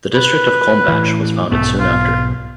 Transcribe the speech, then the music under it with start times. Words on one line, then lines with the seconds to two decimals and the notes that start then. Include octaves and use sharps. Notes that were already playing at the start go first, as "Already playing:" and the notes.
The district of Kulmbach was founded soon after.
0.15 B4
0.88 A2 E3
1.52 B1 G#2 A3 B3
1.80 F4